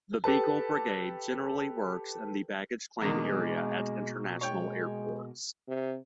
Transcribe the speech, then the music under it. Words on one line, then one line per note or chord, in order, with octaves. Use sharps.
The Beagle Brigade generally works in the baggage-claim area at international airports.
G4 A4 B4 A5
E2 B2 D3 D#3 G#3 A#3
G#3 C#5 G5 C#6
C3